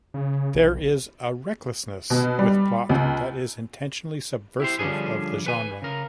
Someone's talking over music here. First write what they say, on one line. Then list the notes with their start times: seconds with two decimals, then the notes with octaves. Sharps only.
There is a recklessness with plot that is intentionally subversive of the genre.
0.14 C#3
0.55 B1
2.10 B2
2.39 G3
2.89 C#2
4.60 E4 G4 C5
4.79 D3 F3 G3 C#4 D4 G#4
5.46 B4 G#5
5.82 C#3 A#4